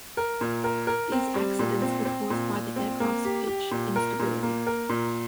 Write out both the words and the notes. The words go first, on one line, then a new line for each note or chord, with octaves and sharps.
These accidents were caused by the aircraft's pitch instability.
A#4
A#2
A#4
A#4
C4
G3
A#2
C4
C4
A#2
A#2
C4
A#3
G4
G4
A#2
A#4
A#2
A#3
A#4
A#2